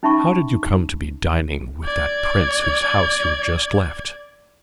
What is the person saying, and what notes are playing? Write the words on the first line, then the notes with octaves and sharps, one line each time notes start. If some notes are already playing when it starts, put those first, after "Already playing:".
"How did you come to be dining with that prince whose house you have just left?"
C#4 D#4 E5 A5 B5 C#6
D5 G#6